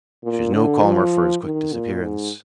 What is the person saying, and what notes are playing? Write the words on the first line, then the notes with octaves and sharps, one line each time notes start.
She was no calmer for his quick disappearance.
A#2
D3
F3
D#3
A#2
G#2